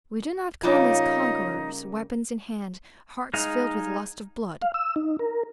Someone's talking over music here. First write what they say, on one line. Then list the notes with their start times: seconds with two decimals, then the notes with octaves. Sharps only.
We do not come as conquerors, weapons in hand, hearts filled with lust of blood.
0.63 C#3 G3 A#3 D#4 F4 C#5
3.34 G#3 D#4 F5
4.62 F5
4.74 E6
4.96 D#4
5.19 A#4